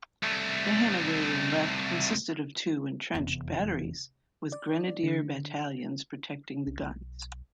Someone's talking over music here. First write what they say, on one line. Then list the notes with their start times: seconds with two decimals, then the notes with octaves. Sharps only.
The Hanoverian left consisted of two entrenched batteries, with grenadier battalions protecting the guns.
0.23 C2 A3
3.14 F1 E2
4.52 D5
5.03 D3
6.67 C2
6.82 B1